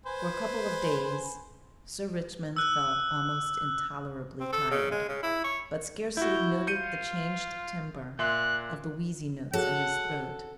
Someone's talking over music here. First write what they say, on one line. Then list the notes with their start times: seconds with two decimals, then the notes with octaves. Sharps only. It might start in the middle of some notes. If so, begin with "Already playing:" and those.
For a couple of days Sir Richmond felt almost intolerably tired, but scarcely noted the changed timbre of the wheezy notes in his throat.
0.06 B4 C5 G#5
2.56 E6 F#6
4.40 C4
4.53 A4
4.71 C#3
4.92 G#3
5.09 C#3
5.23 E4
5.44 C#5
6.17 E4 F#4 G6
6.67 F4 G6 C#7 D#7
8.19 A#2 E5 C6 F#6
9.53 F#4 G#4 A4 C#5 F#5